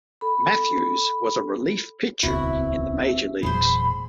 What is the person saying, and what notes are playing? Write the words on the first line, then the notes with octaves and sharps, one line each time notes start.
Matthews was a relief pitcher in the major leagues.
A4 B5
D#1 C#2 B3 C4 E4 F#4 E5
E1 E2 A#2 F#3 G#4 C5 B5